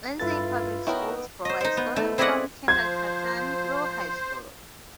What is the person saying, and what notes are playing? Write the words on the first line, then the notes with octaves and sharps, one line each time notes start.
Lindsay Public Schools provide schooling from kindergarten through high school.
G2 E4 F4 A4 B4 A6
B3 D#4 E4 F#4 A#4 C#5 G5
C5 D#5
D#4 C5
B3
A3
C4 E4 G#4 D5 D#5 F#5
F3 C5 G#6